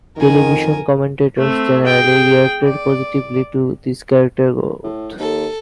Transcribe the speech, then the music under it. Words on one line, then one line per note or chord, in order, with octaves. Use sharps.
Television commentators generally reacted positively to this character growth.
F2 D#3 A#4 G#5
A3 C4
G#4 G5
D5
A2
D#2 A4